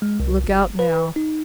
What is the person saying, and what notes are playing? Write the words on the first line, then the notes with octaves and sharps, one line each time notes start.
Look out now.
G#3
C2
G1
B4
D#4